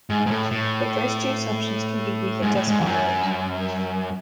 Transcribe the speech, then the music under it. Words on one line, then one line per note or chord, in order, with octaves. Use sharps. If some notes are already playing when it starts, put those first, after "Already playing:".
The first two assumptions can be weakened as follows.
G#2
G#2
A2
A2
G#2
A2
G#2
E2
F#2